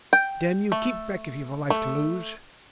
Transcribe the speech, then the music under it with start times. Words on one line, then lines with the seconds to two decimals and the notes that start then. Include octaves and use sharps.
Damn you, keep back, if you've a life to lose!'
0.13 G5
0.72 A3
1.70 A3